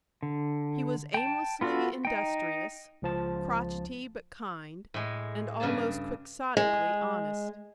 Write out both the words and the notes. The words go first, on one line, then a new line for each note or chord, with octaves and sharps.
He was aimlessly industrious, crotchety but kind, and almost quixotically honest.
D3
G5 A5
B3 F4 F#4 A4
D#4 G5
C#2 F3 A5
A2 G#3
G2 C#3 D4 G#4 A5
G#3